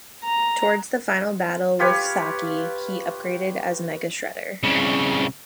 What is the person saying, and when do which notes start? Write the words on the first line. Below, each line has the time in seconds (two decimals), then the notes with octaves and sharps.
Towards the final battle with Saki, he is upgraded as Mega Shredder.
0.24 A#5
1.79 F4 G4 B4 C#5
4.63 C2 C#3